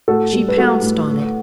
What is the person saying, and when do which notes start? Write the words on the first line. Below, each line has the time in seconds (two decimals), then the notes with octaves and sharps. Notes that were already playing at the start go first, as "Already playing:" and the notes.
She pounced on it.
0.08 A2 F#4 A4
0.33 G3
0.49 B4
0.57 G3 F#4 A4
0.82 A2
1.07 A3